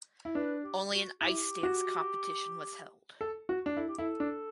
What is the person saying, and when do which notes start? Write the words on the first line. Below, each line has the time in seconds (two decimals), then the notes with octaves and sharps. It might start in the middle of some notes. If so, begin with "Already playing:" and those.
Only an ice dance competition was held.
0.25 E4
0.35 D4 B4
0.64 G4
0.92 F#4
1.20 E4 G4
1.63 F#4
3.21 A4
3.49 F#4
3.66 D4
3.77 E4 A4
3.88 G4
3.98 E4 A4
4.20 D4